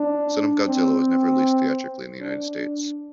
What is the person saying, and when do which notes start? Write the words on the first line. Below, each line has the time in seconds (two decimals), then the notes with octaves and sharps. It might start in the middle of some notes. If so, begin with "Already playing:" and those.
"Son of Godzilla" was never released theatrically in the United States.
Already playing: D4
0.66 C4
2.21 D4